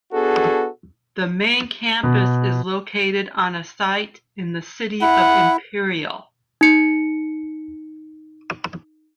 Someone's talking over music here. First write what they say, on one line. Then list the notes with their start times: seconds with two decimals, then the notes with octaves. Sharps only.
The main campus is located on a site in the city of Imperial.
0.13 B3 D4 F#4 G#4 A4
2.03 B2
5.01 E4 F#5
6.61 D#4 C#7